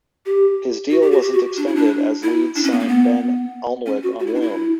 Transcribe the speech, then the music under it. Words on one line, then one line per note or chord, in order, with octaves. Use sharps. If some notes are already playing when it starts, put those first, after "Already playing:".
His deal wasn't extended as Leeds signed Ben Alnwick on loan.
G4
F#4
G4
F#4
G4
F#4
D4
E4
D4
E4
D4
C#4
B3
A#3
B3
C#4
F#4
F#4
E4
D4
E4